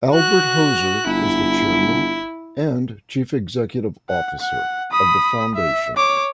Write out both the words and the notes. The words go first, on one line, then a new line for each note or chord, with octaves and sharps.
Albert Hoser is the chairman and chief executive officer of the foundation.
F#4 F#6
G1 E4
F#5
F#5
B5 D#6
E5
C#5 D6